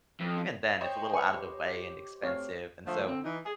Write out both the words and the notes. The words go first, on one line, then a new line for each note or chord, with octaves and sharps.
even then, it's a little outta the way and expensive and so
F2
C5 C#5 D#5 G5
B4 G#5 C#6
G4
A3 C4 C#5 F5
D3 F3 A3
D3 C4
E3 D#4
G#4